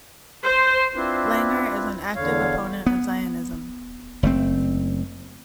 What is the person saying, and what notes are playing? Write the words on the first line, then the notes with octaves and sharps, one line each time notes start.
Langer is an active opponent of Zionism.
C5
C4 D4 E4 F4 B4
E2 D3 C#5 F5
B3
F#1 A3 C4